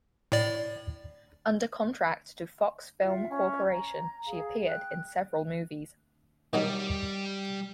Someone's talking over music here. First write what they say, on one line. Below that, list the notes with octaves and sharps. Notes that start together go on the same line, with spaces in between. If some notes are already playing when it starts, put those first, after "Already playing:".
Under contract to Fox Film Corporation, she appeared in several movies.
A2 D5
F4 E5 F#5 G5
C#4
A#5
G#4 F5
G5 F#6
D#3 F#3 G3 D#4